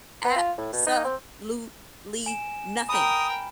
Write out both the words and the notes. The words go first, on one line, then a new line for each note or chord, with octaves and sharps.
Absolutely nothing,
B3
F4
A2
B2
D#4
C4
G#5 E7
A#4 G5 B5 D#6